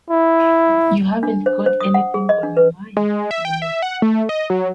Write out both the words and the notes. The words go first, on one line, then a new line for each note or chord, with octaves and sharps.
You haven't got anything on your mind, you know.
E4
D4
C5
C5
D#6
F#5
G#4
D#5
D4
B4
G#3
E5
G5
E5
F#5
A3
D#5
F#3